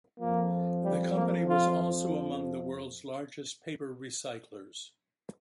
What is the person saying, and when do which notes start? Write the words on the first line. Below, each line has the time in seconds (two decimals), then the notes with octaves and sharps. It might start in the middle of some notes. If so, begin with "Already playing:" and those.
The company was also among the world's largest paper recyclers.
0.20 F2 F3 A#3
0.84 G3
1.17 A#3
1.48 F4